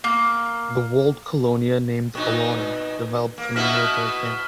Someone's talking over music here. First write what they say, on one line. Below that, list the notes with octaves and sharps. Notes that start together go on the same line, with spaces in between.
The walled colonia named "Alauna" developed from the military camp.
A#3
A#2 D#4
A#3
B2 B3 E4 F6 B6 E7